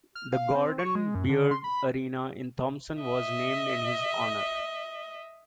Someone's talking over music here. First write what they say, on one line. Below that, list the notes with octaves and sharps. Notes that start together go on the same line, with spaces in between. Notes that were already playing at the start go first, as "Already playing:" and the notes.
The Gordon Beard arena in Thompson was named in his honour.
F6
F5
C4
C#6
G#3
F#2
D3
C6
B5
D#5 E5